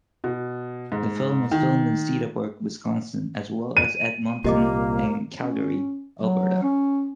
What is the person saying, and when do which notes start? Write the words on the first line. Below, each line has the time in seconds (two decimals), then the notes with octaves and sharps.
The film was filmed in Cedarburg, Wisconsin, as well as Edmonton and Calgary, Alberta.
0.24 B2
0.92 G#2
1.51 D#3
3.77 D#7
4.44 C2 A#2 A#3 G4 D#5 D6
5.42 C#4
6.21 F#3
6.63 C#4